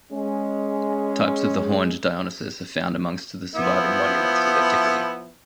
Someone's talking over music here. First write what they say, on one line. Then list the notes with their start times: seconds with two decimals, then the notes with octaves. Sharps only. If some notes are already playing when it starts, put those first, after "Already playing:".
Types of the horned Dionysus are found amongst the surviving monuments of antiquity.
0.12 G#3 C#4
3.55 F3 B3 E4